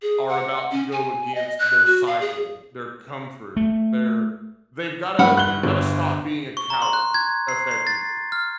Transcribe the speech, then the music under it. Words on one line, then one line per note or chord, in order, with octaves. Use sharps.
are about to go against their cycle, their comfort, their they've gotta they've gotta stop being a coward, effectively.
G#4
F#5
C#4
G#5
D#5
F#6
F#4
F5
G#4
A3
G2 E5 F#5 B5
F#6 G7
G1
C#6
A#5
C6
F#6
G#6
C7
C7
A6
F6